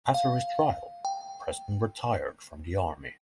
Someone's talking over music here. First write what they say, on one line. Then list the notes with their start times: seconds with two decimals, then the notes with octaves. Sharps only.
After his trial, Preston retired from the army.
0.14 F5
1.05 G5